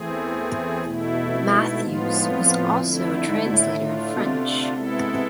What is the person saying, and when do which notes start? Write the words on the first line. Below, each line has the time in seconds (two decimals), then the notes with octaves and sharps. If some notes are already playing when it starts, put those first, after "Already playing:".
Mathews was also a translator of French.
Already playing: E3 A3 C4 G#4
0.11 E2
0.84 B2 A3 E4
1.26 E2
1.33 F2
1.57 G#2
1.82 A2 F3 B3 F4
2.30 F2
2.80 D3 A3 E4
3.27 G#2
3.45 B2
3.52 A2
3.76 D3 A3 D4 F4
4.16 B2
4.25 C3
4.73 G#3 B3 E4 A4
5.13 C3